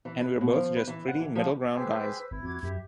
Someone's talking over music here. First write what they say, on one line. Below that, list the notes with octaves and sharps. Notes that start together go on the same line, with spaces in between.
And we're both just pretty middle-ground guys.
E3
B4
B2
F3
B4
E3
F#5
E3
F3
G#3 G4 G#4 B4 C5 E6
G#1 E4
F2 F#4 D6 G#6
F#2 G4 E5